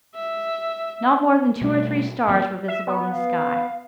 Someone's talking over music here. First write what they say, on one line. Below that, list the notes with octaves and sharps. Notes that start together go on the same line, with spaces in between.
Not more than two or three stars were visible in the sky.
E5
B2 G3 A3
A1 F#3 A#3 C4
E5
B3
F5